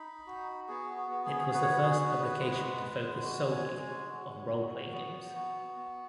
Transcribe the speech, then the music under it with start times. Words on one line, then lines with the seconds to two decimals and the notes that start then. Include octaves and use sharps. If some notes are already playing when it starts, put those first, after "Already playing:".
It was the first publication to focus solely on role-playing games.
Already playing: D#4 B5
0.27 F#4
0.68 B3 G#4
0.97 F#4
1.11 B3
1.25 G#4
1.53 F#4 B4
1.62 C#5
1.70 B4
1.82 G#4
1.96 B3
2.10 B4
2.38 G#3
2.81 G#3
3.23 F#4
3.51 G#5
3.65 G#3
3.79 G#5
4.08 F#4
4.50 F#4
4.92 B3
5.35 F#4
5.76 B3